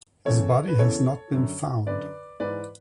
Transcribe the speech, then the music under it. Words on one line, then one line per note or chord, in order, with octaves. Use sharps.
His body has not been found.
E2 C#3 E3 A4 C#5
B4
E2 C#3 E3 A4 C#5
F#2 D3
F#2 D3 B4 D5
G#2 E3 B4 D5